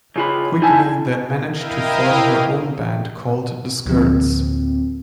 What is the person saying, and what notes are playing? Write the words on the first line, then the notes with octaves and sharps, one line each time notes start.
Quigley then managed to form her own band called The Skirts.
C#3 F4 B5
D#4 E4 G#5 A5
E4 A#4 D#5 F5 G5 D#6
D2 A2 D3 F3 A#3 C4